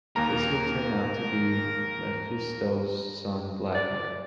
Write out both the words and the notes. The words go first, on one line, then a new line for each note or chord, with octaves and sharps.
This would turn out to be Mephisto's son Blackheart.
D#2 A#3 A#4 A#5
D5